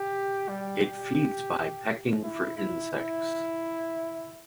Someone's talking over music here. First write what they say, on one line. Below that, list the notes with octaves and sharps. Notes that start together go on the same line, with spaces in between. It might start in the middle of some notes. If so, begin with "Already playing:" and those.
It feeds by pecking for insects.
Already playing: G4
G3
G4
E4
E4
E4